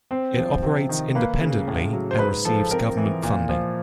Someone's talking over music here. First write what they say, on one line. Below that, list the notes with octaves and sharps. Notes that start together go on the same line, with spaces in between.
It operates independently, and receives government funding.
C4 C5
F3
C3
D#3
A#3 B4
C#3
A2
F#3
C5
G#2 B4
F3 A4
C4 A#4
E3
A#2
F3